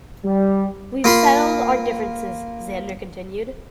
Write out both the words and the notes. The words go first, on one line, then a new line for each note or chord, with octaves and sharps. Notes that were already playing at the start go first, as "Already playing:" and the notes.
"We've settled our differences," Zander continued.
G3
A#3 F4 B5 C6